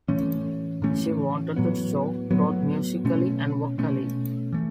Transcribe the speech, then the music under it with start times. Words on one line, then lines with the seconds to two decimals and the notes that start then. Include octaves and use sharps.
She wanted to show growth musically and vocally.
0.08 A2 E3 A3 C#4
0.82 A2 E3 A3 C#4
1.56 A2 F#3 B3
2.31 A2 F#3 B3
3.05 B2 A3 C#4
3.78 B2 A3 C#4
4.53 E3 A3